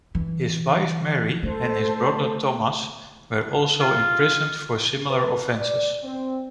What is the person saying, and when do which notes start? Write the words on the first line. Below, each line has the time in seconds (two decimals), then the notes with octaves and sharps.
His wife Mary and his brother Thomas were also imprisoned for similar offences.
0.15 E3
1.43 A3 A4 C5
3.80 F4
5.10 B4
5.59 D5
6.04 C4